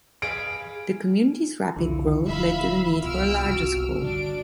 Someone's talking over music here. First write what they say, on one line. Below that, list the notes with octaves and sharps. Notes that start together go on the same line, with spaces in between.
The community's rapid growth led to the need for a larger school.
G#4 B4 F5 D7
C2 F2 D3 E4 F4
D1 D2 E5 F5 B5
C2 B2 F4 E6 F6 D7
G1 C2 C3 F#4
D3 E3 G3 D4 D7